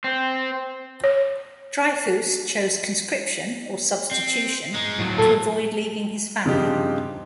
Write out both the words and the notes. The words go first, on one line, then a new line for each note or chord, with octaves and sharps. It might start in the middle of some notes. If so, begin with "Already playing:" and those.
Dryfoos chose conscription, or substitution, to avoid leaving his family.
C4
C#5
C4
G#3 D#4
A2 F#3
A#2 A4
G2 C#3 F3 C4 D#4 G4